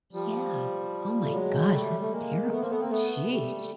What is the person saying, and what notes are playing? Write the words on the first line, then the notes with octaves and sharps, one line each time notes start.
Yeah. Oh my gosh, that's terrible. Sheesh.
F3 G3
A3
F#3 G#3
G3 A3
A3
G#3 A#3
A3 B3
A#3 C4
A3 B3
A#3 C4
A3 B3
G#3
G3 A3